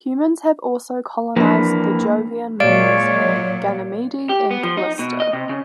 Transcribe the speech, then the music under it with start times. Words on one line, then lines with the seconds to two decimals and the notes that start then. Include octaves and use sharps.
Humans have also colonised the Jovian moons Ganymede and Callisto.
1.37 E3 F3 A#3 D4
2.60 A#2 F#3 G#3 C#5 D5 F5 D7
4.29 G4
4.51 B3
4.63 F3
4.77 D#4
4.99 B2
5.20 D#5
5.33 C3
5.49 C#3